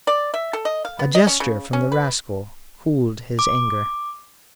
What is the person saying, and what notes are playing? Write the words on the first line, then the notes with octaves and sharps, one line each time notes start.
A gesture from the rascal cooled his anger.
D5
E5
A4
D#5
F5
B3
D#5
C#4
C#3
C#4
B4
D6